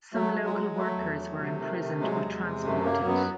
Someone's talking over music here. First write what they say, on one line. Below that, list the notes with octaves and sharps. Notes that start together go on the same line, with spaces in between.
Some local workers were imprisoned or transported.
F#3 A3
F#3
G#3
F#3
F#3 A3
E2
F#3
C3
D#3
C3
F#3 G#3
E2
C3
F#2 A3
F#3 A#3
F#2 B3